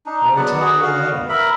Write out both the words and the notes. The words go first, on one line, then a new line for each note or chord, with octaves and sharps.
"Only tell me your name."
D4 D#4
F#3 B3 D5 F#5
F#4 G#4
F#4 F5
B3
A#4 E5 B5